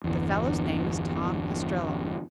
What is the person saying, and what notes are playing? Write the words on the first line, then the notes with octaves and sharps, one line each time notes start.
"The fellow's name is Tom Ostrello."
G1 E2